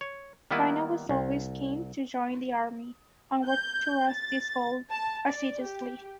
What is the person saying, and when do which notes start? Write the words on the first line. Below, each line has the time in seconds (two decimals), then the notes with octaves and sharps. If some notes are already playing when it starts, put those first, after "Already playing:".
Raina was always keen to join the Army and worked towards this goal assiduously.
0.01 C#5
0.51 D#3 G3 A#3 B3 E4 B4
1.09 C2
3.45 G6
4.11 A6
4.91 A5
5.29 D5
5.62 G4